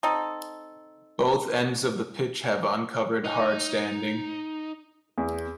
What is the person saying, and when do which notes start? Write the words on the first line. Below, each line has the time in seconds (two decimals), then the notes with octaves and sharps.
Both ends of the pitch have uncovered hardstanding.
0.03 C4 D#4 A4
3.24 D#4
5.18 E2